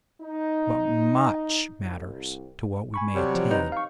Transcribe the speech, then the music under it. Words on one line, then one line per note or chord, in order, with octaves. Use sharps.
But much matters to what we may attain.
D#4
C2
G#5 B5 C#6
C3 F#3 G3
F3
D#4 B4
F5 C#6